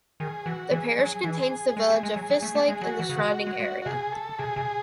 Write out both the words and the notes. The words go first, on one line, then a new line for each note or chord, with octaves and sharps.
The parish contains the village of Fishlake and the surrounding area.
D#3 G#4
E3 F#4
E3 G#4
F#3
E3 G#4
G#3
A3
G#3
F#3
F#3
A3
A3
G#3
F#3 F#4
E3
C#3
D#3
G#3
G#3
F#4
C3 G#4
A4
C3 G#4
C3